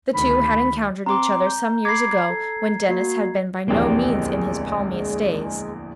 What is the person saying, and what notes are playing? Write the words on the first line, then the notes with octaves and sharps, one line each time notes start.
The two had encountered each other some years ago, when Denis had been by no means in his palmiest days.
D2 D#3 B5
C4 A#5 C6 D6
G6
B5 D6 G#6 C7
A4
A#3 F#4 C7
D1 A#1 E2 G#3 A#3 C4 G4